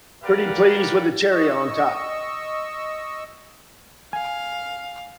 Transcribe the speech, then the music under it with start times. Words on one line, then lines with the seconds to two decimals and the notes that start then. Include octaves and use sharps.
Pretty please with a cherry on top!
0.23 G4 A#4 B4 D5 F5 F#5
1.32 D#5 C#6 E6
4.13 F5 G#5